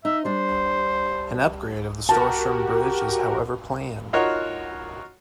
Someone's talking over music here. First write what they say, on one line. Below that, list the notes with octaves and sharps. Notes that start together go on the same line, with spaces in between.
An upgrade of the Storstrom Bridge is however planned.
D#4 E5
G3 D4 C5
F#4 G4 A#4 A5
D#4 F4 F#4 A#4 C#5